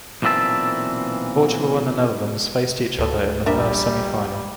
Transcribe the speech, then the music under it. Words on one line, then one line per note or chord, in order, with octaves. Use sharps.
Portugal and the Netherlands faced each other in the first semi-final.
B1 A#2 E3 C4 E5 A5
D2 A4
A#1 G3 D4 A#4 E5 A#5